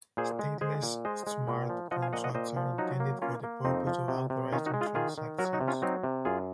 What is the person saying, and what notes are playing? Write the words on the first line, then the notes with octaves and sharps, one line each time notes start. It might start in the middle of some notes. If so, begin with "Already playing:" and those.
Stateless smart contracts are intended for the purpose of authorizing transactions.
A#2 G#4 C5
G#3
G#3 G#4 C5
A#2
G#3 C5 D#5
G#3
A#2
F3
F3 D#5 F#5
F5 G#5
A#2 D#5 F#5
D#5 F#5
A#2 C5 D#5
F3
F#3 D#4 F#4
A#3
A#3 C#4 F4
A#3
F2 C4 D#4
F3
C3
C3
D#3 C#4 F4
D#4 F#4
G#3
F4 G#4
D#3 F4 G#4
D#3
F#3 F#4 A#4
D#4 F#4
C3
C#4 F4
F#3 C4 D#4
C3
F#2 F4 G#4